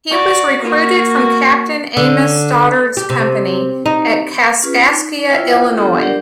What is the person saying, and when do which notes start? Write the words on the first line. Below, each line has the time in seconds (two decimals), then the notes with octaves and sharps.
He was recruited from Captain Amos Stoddard's Company at Kaskaskia, Illinois.
0.11 F#4 D5
0.62 A#3 F#4
1.97 D3
2.97 G4
3.10 C3
3.86 D#4
4.62 C#4 F4 G#4 B4
4.82 D#4
5.30 E4 F4 C5 E5 G5
5.77 B3 D4 F4 G4 A4
6.02 G3 D4 G4 A#4 D5 F#5